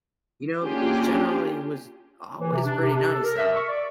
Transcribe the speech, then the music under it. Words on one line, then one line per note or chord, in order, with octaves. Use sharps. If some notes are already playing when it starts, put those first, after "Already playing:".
you know, because generally it was always pretty nice out.
A#3 C#4 D4 F4 G4 G#4
E3
C3
D4
C3
D4
A4
A#4
E5
C#6
D5